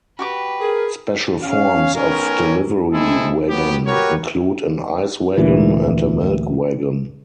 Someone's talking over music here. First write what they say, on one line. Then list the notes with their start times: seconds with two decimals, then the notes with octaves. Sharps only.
Special forms of delivery wagon include an ice wagon and a milk wagon.
0.19 F#4 G4 B4 D6
0.60 G#4 A#4
1.43 C#4 F5
1.95 B1 C#4 A#4
2.93 C3 G#3 C4 E4 G#4 A4
3.49 F#3 B3 G4
3.86 F#4 G4 A#4 B4 C#5
5.37 D2 A#2 E3